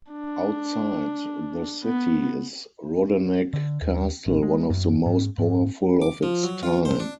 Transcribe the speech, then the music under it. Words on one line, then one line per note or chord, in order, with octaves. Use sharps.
Outside the city is Rodeneck Castle, one of the most powerful of its time.
D4
B3
D3
D#2
A1
G#3
F#2
G#2
G#2
D6
F3
F#3
F4
C5
D4